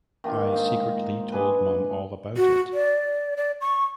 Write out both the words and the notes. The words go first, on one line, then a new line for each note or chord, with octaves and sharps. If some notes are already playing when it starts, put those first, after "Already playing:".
I secretly told mum all about it.
D#3 A#3 D4 F4
G#2 D#4
G#3 D4 G#4 B4
F#4
D5
D5
C#6